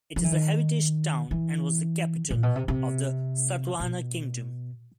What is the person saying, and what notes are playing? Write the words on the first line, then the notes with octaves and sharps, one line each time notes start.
It is a heritage town and was the capital of the Satavahana Kingdom.
F3
E3
D#3
E3
A#2
B2
C3
C3
B2